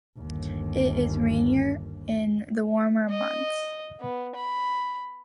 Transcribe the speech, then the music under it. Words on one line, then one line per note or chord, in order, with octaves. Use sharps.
It is rainier in the warmer months.
G1 D#2
D#5
B3
B5